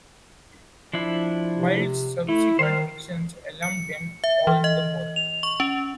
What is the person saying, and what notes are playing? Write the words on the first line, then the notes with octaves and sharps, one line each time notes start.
Wild's subsequent actions alarmed them all the more.
F3 D4 E4
C3
A3 E4
D#3 C5 F6
C#7
E5
E3
D#5
F7
C#6
C#4